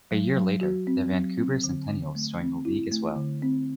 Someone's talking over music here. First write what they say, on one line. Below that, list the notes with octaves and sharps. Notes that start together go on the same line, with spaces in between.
A year later, the Vancouver Centennials joined the league as well.
F#3
F#3
F#4
C4
F#3
C4
D3
D3
A3
C4
E4
A3
D3
C4